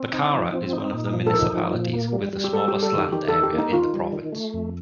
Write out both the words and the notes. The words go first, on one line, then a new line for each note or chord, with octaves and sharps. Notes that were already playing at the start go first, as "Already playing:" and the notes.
Bacarra is one of the municipalities with the smallest land area in the province.
Already playing: C4
D#4
F3
C4
D#4
A#2
F3
A4
D#4 A#4
F3
A#2
A#3
G3
G3
G4
G3 A4
G4
G3
A4
D#3 G4
D#3 G4
A4
D#3
G4
A#3
D#4
D#3 F4
G3
D#3
A3
F2